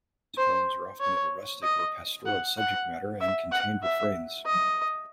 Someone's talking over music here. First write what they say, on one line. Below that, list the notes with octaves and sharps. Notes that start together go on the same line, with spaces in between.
These poems were often of a rustic or pastoral subject matter and contained refrains.
C5
C#5
D#5
F#5
F#5
E5
F#5
E5
D#5